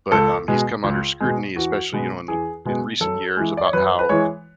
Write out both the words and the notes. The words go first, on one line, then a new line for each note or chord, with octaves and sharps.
but, um, he's come under scrutiny, especially, you know, in l in recent years, about how
C#2 A4
B2 G#3
C#2
B2 G#3
E2 F#4
B2 G#3 B3
E2 G#4
B2 G#3 B3
F#2 A4
E3 G#3
D5
C#5
F#2 B4
B4
E3 G#3 C#5